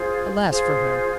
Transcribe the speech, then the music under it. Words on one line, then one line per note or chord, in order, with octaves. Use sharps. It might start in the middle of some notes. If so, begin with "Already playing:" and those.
Alas for her!
Already playing: F4 G#4 C5
F4 G#4 C5